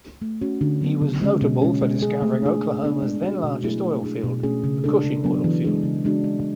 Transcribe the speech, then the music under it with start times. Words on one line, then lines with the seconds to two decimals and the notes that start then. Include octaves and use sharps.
He was notable for discovering Oklahoma's then-largest oil field, the Cushing Oil Field.
0.22 A3
0.42 C#4 F#4
0.61 D3
0.82 F#3 B3
1.02 C#3
1.22 G#3 C#4
1.42 B2
1.62 G#3 C#4
1.82 G#3
2.02 C#4 G#4
2.22 A3
2.42 D4 G#4
2.63 G#3
2.83 B3 D4 G#4
3.02 G#3
3.22 C#4 F#4
3.44 B2
3.63 F#3 A3 E4 G#4
3.84 A3
4.04 D4 G#4
4.24 B2
4.43 A3 C#4 G#4
4.64 C#3
4.84 G#3 D4 A4
5.04 C#3
5.24 F#3 B3 D4
5.44 E3
5.64 G#3 D4 G#4
5.84 C#3
6.05 G#3 D4 F#4
6.24 G#3